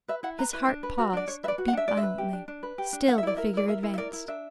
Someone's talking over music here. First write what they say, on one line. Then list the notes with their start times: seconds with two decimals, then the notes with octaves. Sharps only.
His heart paused--it beat violently--still the figure advanced.
0.08 B4 E5
0.23 E4 F#5
0.38 B4 A#5
0.53 E4 B4
0.68 D4
0.83 B4
0.98 F#4
1.13 D4 D5
1.28 D4 C#5
1.43 B4 E5
1.48 D5
1.58 F#4
1.68 F#5
1.73 D4 E5
1.88 D4 D5
1.97 E5
2.03 B4
2.18 G4
2.33 D4
2.48 D4
2.63 B4
2.78 G4
2.93 D4
3.08 A#4 F#5
3.18 E5
3.23 E4 D5
3.37 A#4 E5
3.53 E4 D5
3.68 A#4 E5
3.83 E4
3.94 E5
3.98 A#4 D5
4.13 E4
4.28 D4 E5